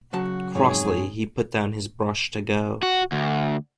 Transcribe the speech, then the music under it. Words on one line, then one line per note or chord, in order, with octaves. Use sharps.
Crossly he put down his brush to go.
C#3 F#3 F#4 A5
F2 G#2 G#4 C#5
F#4
D2